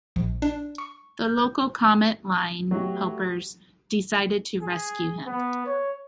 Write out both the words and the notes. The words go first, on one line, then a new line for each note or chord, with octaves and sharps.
The local Comet Line helpers decided to rescue him.
A#1
D4
C#6
G6
F#3 A3 B3 F#4 G4
G#4
B3
C#5